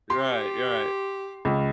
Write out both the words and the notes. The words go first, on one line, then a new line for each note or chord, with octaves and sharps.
You're right, you're right.
G4 C6
C#2